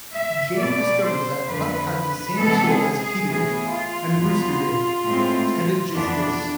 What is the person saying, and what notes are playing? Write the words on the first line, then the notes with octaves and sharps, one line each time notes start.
Jane discovers that Puck has the same soul as Peter and Rooster did: Tetigistus.
E5
B2 B3 D5
C5
F2 D3 F3 B4
C3 E3 G#3 B3 A4
G#4
G#4
A2 E3 B3 G#4
F4
E2 B2 B3
A2 G#3 C4
F2 E3 B3 D4